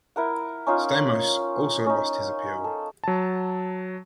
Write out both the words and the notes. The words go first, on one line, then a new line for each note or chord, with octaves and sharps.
Stamos also lost his appeal.
E4 A#4 F#5
C#4 D#4 F4
C#4 D#4
A4
F#3 A5